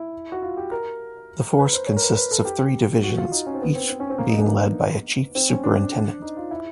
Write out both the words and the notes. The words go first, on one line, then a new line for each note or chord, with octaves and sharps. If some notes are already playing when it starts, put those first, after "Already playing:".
The force consists of three divisions, each being led by a chief superintendent.
Already playing: E4
F#4
F4
G4
A#4
B4
C5
C#5
A#4
B4
B4
A4
G4
F#4
F4
D#4
C#4
C4
B3
C4
C4
C#4
C4
A#3
D#4
D4
A#3
B3
C4
C#4
D4
D#4
F4
E4